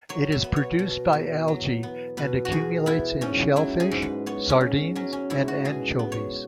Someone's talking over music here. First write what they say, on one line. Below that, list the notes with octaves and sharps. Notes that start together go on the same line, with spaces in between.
It is produced by algae and accumulates in shellfish, sardines, and anchovies.
F#3 C#5
E5
B3
C#5
B2
E2
F#3
B3
B2 B4
F#4
E2 G#4
B3 E4
G#2 C#4
F#3 E4
G#4
G#2
B4
B3 C#5
C#4
G#2
F#3 C#4
C#4
G#2 E4
F#4
B2 G#4
B3
C#5